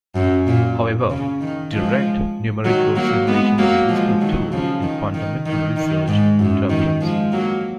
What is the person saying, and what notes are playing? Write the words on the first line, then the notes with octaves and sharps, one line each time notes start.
However, direct numerical simulation is a useful tool in fundamental research in turbulence.
F#2
A#2
C#3
D#3
F3 G#3
D#3 F#3
F#3 A#3
G#3 B3
F#3 A#3
F3 G#3
D#3 F#3
C#3 F3
D#3
D#3
D#3
D#3
G#2
F#2
D#3
F3 G#3
F#3 A#3